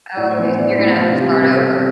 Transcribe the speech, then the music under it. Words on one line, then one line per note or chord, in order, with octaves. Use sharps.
Oh okay so you're gonna have to start over.
A2 D5
C5
E3 B3
C5
A2 D5
C5
E3 B3 E4
E4
C3 F4
G3 C4 G4
C3 G4
A4
G3 C4
G4